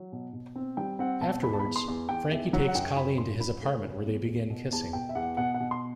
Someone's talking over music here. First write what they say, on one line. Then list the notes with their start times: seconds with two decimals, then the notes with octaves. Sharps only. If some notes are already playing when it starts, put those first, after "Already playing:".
Afterwards, Frankie takes Colleen to his apartment where they begin kissing.
Already playing: F#3
0.12 B2
0.33 B2
0.56 C4
0.77 G3 G5
0.99 C4 F#5
1.21 B2 A5
1.43 E2 B5
1.53 A5
1.59 B5
1.66 E2
1.76 C6
1.88 E2
2.09 E2 G5
2.31 E2 E5
2.53 F#3 F#5
2.68 F#5
2.75 F#2 G5
2.96 F#2 B5
3.18 F#2 C6
3.40 F#2 B5
3.63 A3
3.84 F#2
4.06 E2
4.28 E2
4.50 B2
4.72 E2 A5
4.93 B2 G5
5.09 E5
5.15 E2 F#5
5.37 B2 F#5
5.54 F#5
5.60 B2
5.71 C6